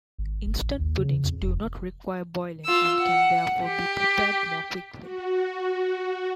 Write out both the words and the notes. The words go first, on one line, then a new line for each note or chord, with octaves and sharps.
Instant puddings do not require boiling and can therefore be prepared more quickly.
G#1
G1
A1
D#2
C#3
F2
F1
F4 E6
F#5
G4
F#4